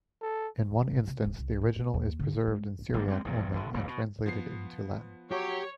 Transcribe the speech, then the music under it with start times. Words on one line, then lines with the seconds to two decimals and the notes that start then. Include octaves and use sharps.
In one instance, the original is preserved in Syriac only and translated into Latin.
0.22 A4
0.92 A2
1.07 C3
1.25 D1
1.39 C2
1.61 A2
1.76 A3
1.94 D#2
2.19 D3
2.33 B3
2.47 G#3
2.94 G1 G3 A#3
3.08 G3 G#3 A#3 C4
3.25 A#1 E2 G2 C3
3.53 G#1 D3
3.73 E1 C#2 A#2 C#3
3.87 B2
4.26 F3 B3 C7
5.31 F#3 G4 C#5